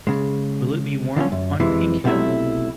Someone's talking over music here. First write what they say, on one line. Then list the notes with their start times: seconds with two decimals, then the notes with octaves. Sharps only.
Will it be warm on Pink Hill?
0.07 C#3 G#3
1.16 D3 F3 B3 C#4
1.32 F#2
1.60 F2 C3 E3 G#3
2.04 B1 C3 F#3 A3 E4 E5